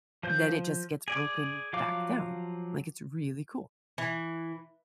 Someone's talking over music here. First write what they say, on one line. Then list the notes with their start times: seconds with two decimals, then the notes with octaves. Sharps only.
then it just gets broken back down, like, it's really cool.
0.23 F3 C5 G6
1.08 G#4 D5
1.73 F3 F#3 F5 D6
3.98 E3